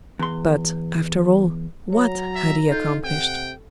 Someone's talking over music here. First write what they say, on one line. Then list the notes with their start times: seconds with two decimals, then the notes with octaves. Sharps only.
But, after all, what had he accomplished?
0.19 E2 C6
1.93 F#3 C#5 A#5
2.35 E5
2.69 D#4 F4 A4 G6
3.04 C3 F#5 G5